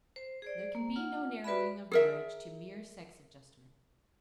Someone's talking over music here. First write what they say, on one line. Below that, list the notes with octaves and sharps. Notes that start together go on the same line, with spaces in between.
There can be no narrowing of marriage to mere sex adjustment.
C5
G#4 C5 D5
A#3
F4 F#5
F#4 B4 D5 E5 B5
G#4 A#4 E5